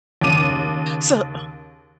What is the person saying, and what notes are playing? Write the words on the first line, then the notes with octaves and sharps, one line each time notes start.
So, oh
D#2 C#3 D6 D#7